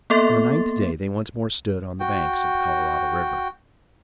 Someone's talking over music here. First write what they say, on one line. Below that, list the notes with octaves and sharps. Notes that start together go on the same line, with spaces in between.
On the ninth day, they once more stood on the banks of the Colorado River.
A#3 B3 A4 E5 C6 A6
F#4 G5